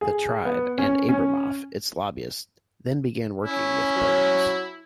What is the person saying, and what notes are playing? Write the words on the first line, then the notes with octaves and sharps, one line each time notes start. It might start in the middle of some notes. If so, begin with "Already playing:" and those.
The tribe, and Abramoff, its lobbyist, then began working with Burns.
G#4
B3
C#4
C#4
C#4 E4
F#3